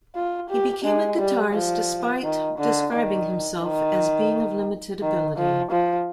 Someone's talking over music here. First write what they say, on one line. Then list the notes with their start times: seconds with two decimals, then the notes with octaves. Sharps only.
He became a guitarist despite describing himself as being of "limited ability".
0.15 F4
0.50 G4
0.85 G#3
1.19 G3
1.54 F3
2.24 D#3
2.59 D3
2.93 D#3
3.63 D#3
5.02 D#3
5.37 F3
5.71 F3